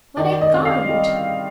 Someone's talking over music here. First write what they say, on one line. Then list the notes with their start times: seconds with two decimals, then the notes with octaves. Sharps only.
But I can't.
0.17 D#3 D5
0.41 D#5
0.54 C4
0.65 F5
0.89 G3